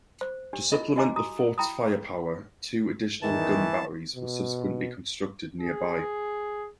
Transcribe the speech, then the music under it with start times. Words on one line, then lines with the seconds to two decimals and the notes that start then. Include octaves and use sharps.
To supplement the fort's firepower, two additional gun batteries were subsequently constructed nearby.
0.21 C5
0.53 D4 G4
0.72 E4 F4 D#5
0.96 F#4 G4 D#5 G#5 A#5 D6
1.16 F#4 A#5 D#6
1.58 E4 G5 A#5 B5 D#6
3.22 E2 D#3 E3 A5
4.16 B2
5.61 G#4